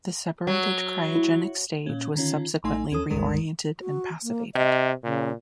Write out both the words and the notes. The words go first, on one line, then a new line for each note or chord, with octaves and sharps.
The separated cryogenic stage was subsequently reoriented and passivated.
F#3
E4
A#2 C#4
D3 D#3 C#4 F4
A1 A3 D#4 G#5 C6
D#2 C#4 A4 D#6
G1 C#2 G2 D#3 G#3 A#4
F#4
A#3
C3 D#5
A#2 C#3